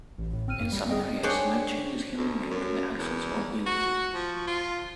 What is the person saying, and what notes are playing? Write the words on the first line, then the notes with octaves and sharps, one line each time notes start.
In some areas, no changes can be made to the axles or wheels.
A1
A2
G1 C4 F6 D#7
F#2 A#3
G3
G#4 D#5 G5
D4 G#4 C5 C#5 F#5 G5
D2
F#2
E2
F#4
F3
F4